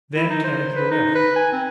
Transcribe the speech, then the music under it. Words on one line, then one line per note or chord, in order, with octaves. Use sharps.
Then turn to the left.
E4
D#4
C5
B4
D#4
B4
G#5
C4